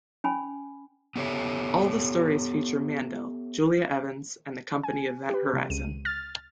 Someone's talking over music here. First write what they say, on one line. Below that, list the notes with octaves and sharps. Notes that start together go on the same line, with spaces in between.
All the stories feature Mandel, Julia Evans and the company Event Horizon.
C#4 G#5 B5
B3 G4 A4 C#5 E5
G#5
G4 B4
C3
C#2 D#7
F6 A6